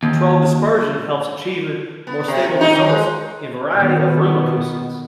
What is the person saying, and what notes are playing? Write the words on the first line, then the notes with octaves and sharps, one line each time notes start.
Controlled dispersion helps achieving more stable results in variety of room acoustics.
D#2
B3
C3
E2
D#4
D#3
G#3
B2 D#3 B3